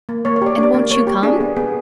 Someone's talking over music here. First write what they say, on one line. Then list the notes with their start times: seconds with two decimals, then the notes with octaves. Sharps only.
'And won't you come?'
0.09 A#3
0.25 A#3 C#5
0.36 C#5
0.42 G4 D5
0.58 D4 D5
0.74 A#3
0.91 A#3 C#5
1.07 G4
1.23 D4 G#4
1.40 B3
1.56 B3 G#4